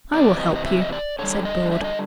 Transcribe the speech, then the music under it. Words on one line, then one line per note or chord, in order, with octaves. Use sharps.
I will help you,' said Broad.
C3 E3 G3 D5
D#5
D#5
E5
D#5
D5
D3 G3 C#5
D#5
E5
D#5